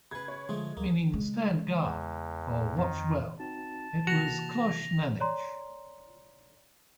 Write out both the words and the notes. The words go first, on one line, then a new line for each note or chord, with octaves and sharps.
Meaning "stand guard", or "watch well", it was "Kloshe Nanitch".
C#3 B4 G#6
C#5
D3 F3 G#3 A3
D2 A#3
C#3 G#3
E2
F2 D#3
C4 D#4 F#4 A5
C3 E3 A#3 F#4 A#6 F7
C#5 D5 A#5 C6